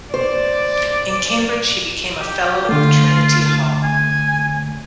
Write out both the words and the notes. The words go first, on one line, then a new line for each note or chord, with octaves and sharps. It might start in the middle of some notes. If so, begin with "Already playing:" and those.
In Cambridge he became fellow of Trinity Hall.
C5 D5
G4
D3 A3 F4
G#5